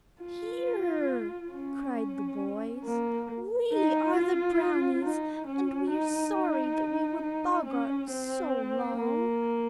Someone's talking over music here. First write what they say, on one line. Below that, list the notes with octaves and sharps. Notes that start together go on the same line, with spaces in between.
"Here," cried the boys; "we are the brownies, and we are sorry that we were boggarts so long."
F4
C#4
A#3
D#4
F4
D#4
C#4
D#4
D#4
C#4
C4
A#3